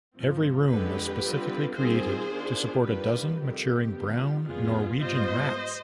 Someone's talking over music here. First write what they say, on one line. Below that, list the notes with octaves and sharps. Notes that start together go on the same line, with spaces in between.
Every room was specifically created to support a dozen matured brown Norwegian rats.
G#2 F3 C4
F2 D3 G#3 G4 B4
D3 G3 C4 F4
D#3 G3 C4 F4 G#4 C5
D#3 B3 D4 F4
D#3 G3 D4 F4 G4 B4
F2 C3 D#3 G3 G4
D3 G3 B3 F4
F2 C3 G3 B3 F4 G#4
G#2 G3 B3 F4 C5 D#5